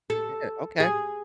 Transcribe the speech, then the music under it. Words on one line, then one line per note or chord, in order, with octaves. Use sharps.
Yeah. Okay.
A4
G#4